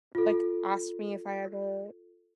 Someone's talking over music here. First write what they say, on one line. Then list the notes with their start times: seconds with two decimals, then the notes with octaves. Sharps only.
like, asked me if I ever
0.15 F4 A4